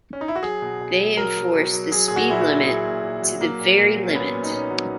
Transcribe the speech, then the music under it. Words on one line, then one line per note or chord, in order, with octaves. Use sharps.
They enforce the speed limit to the very limit!
C#4
D#4
E4
F#4
F#3 G#4
B2
B2
F#3
F#3 A#4
B2
B2
F#3
F#3 G#4
A#2 G#4
F#4
A#2 E4
F#4
F#3
F#3 G#4
A#2
A#2
F#3
F#3 A#3
A#2
A#2
F#3
C#4
F#3 B3
A#2
D#4
A#2 C#4
F#3